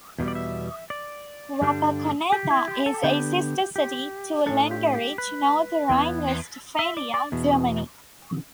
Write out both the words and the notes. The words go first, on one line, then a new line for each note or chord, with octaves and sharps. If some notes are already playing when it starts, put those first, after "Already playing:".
Wapakoneta is a sister city to Lengerich, North Rhine-Westphalia, Germany.
E2 B2 G3
D5
E5
D5
G2 D3 G3 D4
G4
E4
G4
A4
D3 B3 D4 G4
G4
A2 G3 D4 A4
G4
G4
B4
E2 E3 B3
E5
D5
D5
E2 B2